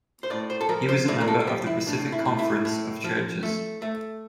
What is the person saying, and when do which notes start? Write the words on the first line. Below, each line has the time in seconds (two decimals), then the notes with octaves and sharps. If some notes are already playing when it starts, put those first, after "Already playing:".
He was a member of the Pacific Conference of Churches.
0.23 C5
0.30 A2 D5
0.50 C5
0.61 A4
0.69 F3 A#4
0.89 C5
1.08 A2 D5
1.21 A#4
1.28 A4
1.40 A4
1.47 F3 G4
1.67 E4
1.87 A2 D4
2.12 E4
2.25 A2
2.39 E4
2.65 A2
3.04 F3
3.43 A3
3.82 A3